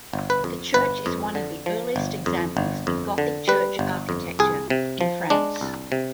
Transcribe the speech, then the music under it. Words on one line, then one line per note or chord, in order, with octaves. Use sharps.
The church is one of the earliest examples of Gothic church architecture in France.
G1
B4
F2
G1 B4
F2
D3
F3
G1
F2
G1
F2
D3
G3 B4
G1
F2
C2 G#4
C3
F3
G#3 D4
C2
C3